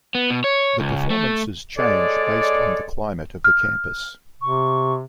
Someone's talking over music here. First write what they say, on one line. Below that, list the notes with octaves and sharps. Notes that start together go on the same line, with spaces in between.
The performances change based on the climate of the campus.
B3
B2
C#5
C#2
A3
G#3 A4 C#5 D5
F6
C3 C#6